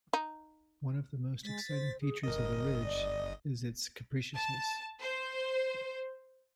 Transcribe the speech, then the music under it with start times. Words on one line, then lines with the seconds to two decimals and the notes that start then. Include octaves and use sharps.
One of the most exciting features of the Ridge is its capriciousness.
0.13 D#4
1.43 G#3 A6 B6
1.69 C5
2.01 G#4
2.23 G1 A#4 D#5
2.83 D5
4.35 A5
5.01 C5